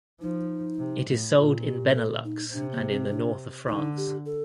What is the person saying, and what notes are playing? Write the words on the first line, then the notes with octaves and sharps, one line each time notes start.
It is sold in Benelux and in the north of France.
F3 D#4
C3
A2
A#2 F4
G4
G4
A4
D#4
C3 D4
A#3
C4
D4
D3 D#4
G4
A4